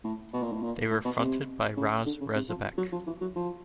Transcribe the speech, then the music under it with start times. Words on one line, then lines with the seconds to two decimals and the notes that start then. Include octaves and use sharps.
They were fronted by Rozz Rezabek.
0.04 A2
0.33 B2
0.43 A#2
0.52 A2
0.62 A#2
0.91 A2
1.05 B2
1.19 C3
1.77 C#3
2.06 D3
2.21 C#3
2.35 C3
2.49 F3
2.78 F#3
2.93 F3
3.07 E3
3.21 F#3
3.36 F3